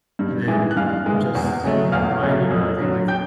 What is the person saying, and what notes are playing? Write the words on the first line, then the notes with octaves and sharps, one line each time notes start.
and then just, you know, remind you of everything. Like,
G2
E3 G#3
F#6
G2 F5 F6
E3 G#3
E2
C#3 F#3 A3
E2 F5 F6
C#3 F#3 A3
F2
D3 F#3
G5 G6